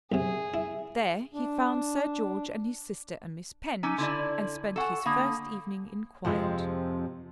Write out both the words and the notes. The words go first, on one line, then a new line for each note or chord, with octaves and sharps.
There he found Sir George and his sister and Miss Penge, and spent his first evening in quiet.
B1 C3 G#4
E4
D4
C#4 D#4 A#5 D6 E6
D3 E4 D5 C6 D6 G#6
A4 F#5 G#5 C#6 E7
D3 A#3 F5 B5 D#6
F2 C3 F3 G#3